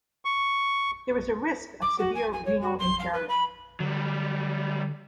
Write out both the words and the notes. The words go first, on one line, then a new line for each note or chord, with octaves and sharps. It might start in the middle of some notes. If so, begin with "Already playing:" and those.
There is a risk of severe renal impairment.
C#6
D6
F#4
G#5
G#5
C#5
F#4
C6
F5
B4
B5
D3 F#3 G3